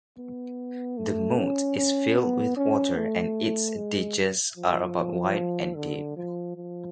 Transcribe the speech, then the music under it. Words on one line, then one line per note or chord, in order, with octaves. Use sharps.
The moat is filled with water and its ditches are about wide and deep.
B3
A3
C#4
C#4
B3
C#4
A3
G#3
F3
D3
F3
F3